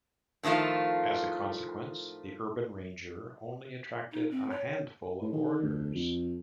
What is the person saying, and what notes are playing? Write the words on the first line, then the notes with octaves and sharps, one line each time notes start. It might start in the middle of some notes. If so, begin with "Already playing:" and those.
As a consequence the Urbanranger only attracted a handful of orders.
A2 D#3 F3 A3 F4
D#4
C4
C#5
A2
D#3
D2
F2